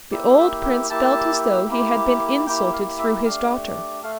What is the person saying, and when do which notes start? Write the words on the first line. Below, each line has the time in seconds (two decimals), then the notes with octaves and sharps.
The old prince felt as though he had been insulted through his daughter.
0.11 A#3 E4 G4 D5
0.38 E5
0.64 G5
0.90 A#3 E4 G4 A5
1.68 A#3 E4 G4
2.46 A#3 E4 G4 G5
2.73 F5
2.99 E5
3.24 A3 D4 G4 F5
4.03 A3 F5